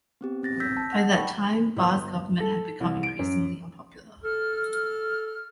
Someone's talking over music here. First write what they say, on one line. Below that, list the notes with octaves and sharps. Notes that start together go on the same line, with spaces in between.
By that time, Barre's government had become increasingly unpopular.
B3 C4 G4
C4 A6 A#6
E6 G6 A#6 B6
A5
F#5
G5 A5 B5 C#6
G1
A4
C2
D7
F#2
A4 F6